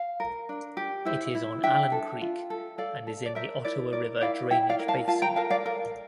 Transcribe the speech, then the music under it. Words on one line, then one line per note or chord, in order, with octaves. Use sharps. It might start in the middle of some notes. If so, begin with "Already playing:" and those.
It is on Allen Creek and is in the Ottawa River drainage basin.
Already playing: F5
A#4
D4
G4
E4 C5 E5
E4
D4 E5 G5
A4
F4
A4
A4 D5 F5
A4
D5
A#4 C5 E5
E4 D5
A#4 D5
E4 D5 F5
E4 E5 G5
D5 F5
A#4
F5 A5
F4 F5 A5
G5 A#5
A#4 F5 A5
D5 F5
A#4